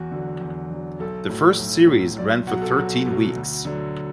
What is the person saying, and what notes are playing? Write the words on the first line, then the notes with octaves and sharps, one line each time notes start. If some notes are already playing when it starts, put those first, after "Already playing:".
The first series ran for thirteen weeks.
Already playing: E2 F#4
D3 F#3
E2
D3 F#3
B1 A4
A2 F#3
B1
A2 F#3
B1 D5
B2 F#3 F#5
A4
B1 F#4
B2 F#3
D2
D3 F#3